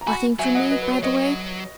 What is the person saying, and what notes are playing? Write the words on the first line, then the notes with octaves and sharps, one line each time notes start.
Nothing for me, by-the-way?'
A#5
F#4 G#5 B5
F#3 E5 G#5
D#5 F#5
B4 D#5
B4
C#5
F#3 B4 D#5